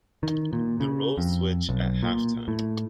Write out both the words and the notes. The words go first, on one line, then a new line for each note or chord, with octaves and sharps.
The roles switch at half time.
D#3
A#2
C#3
F2
B1
A#2
A2